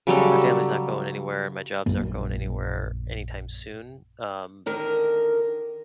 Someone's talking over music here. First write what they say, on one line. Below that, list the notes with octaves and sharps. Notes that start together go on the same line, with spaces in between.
my family's not going anywhere, my jobs aren't going anywhere anytime soon, um,
C#3 F#3 G3 A4
A#1 F#2 A#3
D3 D#3 A#4